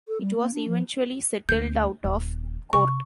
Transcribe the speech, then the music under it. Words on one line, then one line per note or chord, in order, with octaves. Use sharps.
It was eventually settled out of court.
A4
G3
A#3
D4
F3
D2 C#4 G6
D#1
C3 C#6